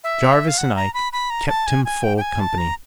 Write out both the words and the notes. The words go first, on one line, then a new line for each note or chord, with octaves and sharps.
Jarvis and Ike kept him full company.
E5
F5
F#5
A#5
B5
B5
A#5
A5
G#5
G#5
G5
G5
G#5
A5
A#5